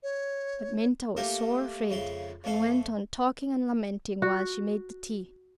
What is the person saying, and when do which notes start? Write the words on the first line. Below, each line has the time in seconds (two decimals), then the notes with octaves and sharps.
But Minta was sore afraid, and went on talking and lamenting while she made the tea.
0.03 C#5
1.17 A3 A#3 F4 G4 A4 A#4
1.90 F2 C#3 G#3 E4 C6
2.44 F2 F3 A3 A4 F5
4.22 F#4